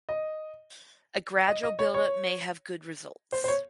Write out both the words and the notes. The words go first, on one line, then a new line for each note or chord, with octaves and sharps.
A gradual buildup may have good results.
D#5
D#5
D#5
C#5
C#5
C5
C5
C#5